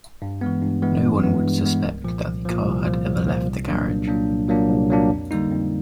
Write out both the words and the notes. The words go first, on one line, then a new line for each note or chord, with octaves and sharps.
No one would suspect that the car had ever left the garage.
G2
E3 G#3 B3
G2
E3 G#3 B3
G2
E3 G#3 B3
G2
E3 G#3 B3
C2
A#2 F3
C2
A#2 F3
C2
A#2 F3
C2
A#2 F3
C2
A#2 F#3 A#3 D4
C2
A#2 F#3 A#3 D4
C2
A#2 F#3 A#3 D4
C2
A#2 F#3 A#3 D4
F2
D3 G3 A#3 D#4
F2